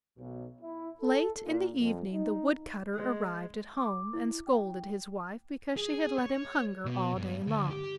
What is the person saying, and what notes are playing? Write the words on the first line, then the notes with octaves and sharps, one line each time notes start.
Late in the evening the Woodcutter arrived at home, and scolded his Wife because she had let him hunger all day long.
B1
E4
A4
A#2
F2
D#4
G#3
D6
E4
G5
G#4
C#5
B2
G2
D2
G4